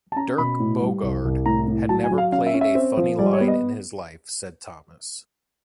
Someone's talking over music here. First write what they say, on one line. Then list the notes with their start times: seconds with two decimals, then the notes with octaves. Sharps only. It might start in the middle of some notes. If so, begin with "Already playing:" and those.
Dirk Bogarde... had never played a funny line in his life, said Thomas.
0.12 A5
0.16 C#4 A#5
0.38 B2 B5
0.60 A2
0.81 G3
1.03 C2
1.25 C2
1.46 A2 A#5
1.68 A2
1.89 F#3 A5
2.04 G#5
2.11 F#3
2.18 F5
2.32 C#4 F5
2.46 E5
2.54 C#4
2.61 E5
2.75 C4
2.97 F3
3.19 G3 D5
3.33 C#5
3.41 B3
3.48 D#5